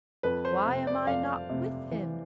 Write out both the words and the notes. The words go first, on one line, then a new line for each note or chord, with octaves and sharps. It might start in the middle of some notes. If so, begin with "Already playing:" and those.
Why am I not with him?
F2 B4
C5
C3
D5
F2 F5
C3
E3